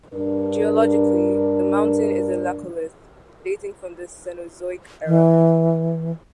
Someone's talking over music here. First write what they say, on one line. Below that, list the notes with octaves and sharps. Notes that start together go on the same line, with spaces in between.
Geologically, the mountain is a laccolith, dating from the Cenozoic era.
G2 D4 A#4
E3